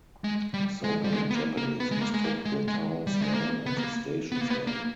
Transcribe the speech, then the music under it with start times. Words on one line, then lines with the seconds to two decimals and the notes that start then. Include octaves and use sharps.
So many Japanese mistook the town's name and the station's name.
0.24 G#3
0.54 G3
0.84 G#3
1.04 G3
1.13 G#3
1.31 B3
1.35 A#3
1.57 A#3
1.80 B3
1.91 G#3
2.01 A#3
2.14 G#3
2.24 A#3
2.45 G#3
2.68 G#3
3.07 G3
3.21 G#3
3.34 A#3
3.66 B3
3.78 A#3
4.32 B3
4.41 A#3
4.50 B3
4.67 A#3